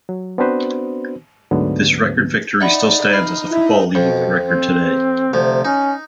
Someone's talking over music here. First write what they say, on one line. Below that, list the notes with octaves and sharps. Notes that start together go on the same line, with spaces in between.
This record victory still stands as a Football League record today.
F#3
B3 C4 D4 F#4 B4 C5
D2 G#2 D3 F#3 A3 B3
D#4 D5 E5 F#5 B5
B5 F6 C7
E4 E5
F2 B2
C4
D2 C3 F3
C#4 D#4